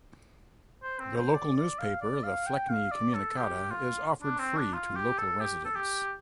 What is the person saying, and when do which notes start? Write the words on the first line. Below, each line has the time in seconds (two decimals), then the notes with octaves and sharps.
The local newspaper, "The Fleckney Communicata", is offered free to local residents.
0.83 C5
1.00 C4
1.16 C5
1.34 D5
1.56 D5
1.79 F5
2.01 D5
2.24 F5
2.47 G5
2.69 F5
2.92 D5
3.15 A4
3.37 G4
3.71 F4
4.22 D4
4.39 C4
4.56 D4
4.73 F4
4.96 G4
5.18 A4
5.41 G4
5.65 A4
5.76 G4